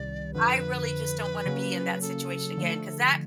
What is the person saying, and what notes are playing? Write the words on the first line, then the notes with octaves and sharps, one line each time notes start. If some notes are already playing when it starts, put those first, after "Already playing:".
I really just don't want to be in that situation again, 'cause that
Already playing: C2 C3 D#3 G3 D5
F2 D3 F3 B4
C#3 F#3 A#3 C#4
A4
D3 F3 A3